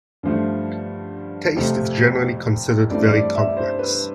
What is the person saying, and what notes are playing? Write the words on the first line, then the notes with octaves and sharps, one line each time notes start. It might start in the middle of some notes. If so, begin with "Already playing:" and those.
Taste is generally considered very complex.
G2 D3 F3 A3
F2 C3 F3 A3 C4
G2 E3 A3 C4 D5
D5
E5
C5
B4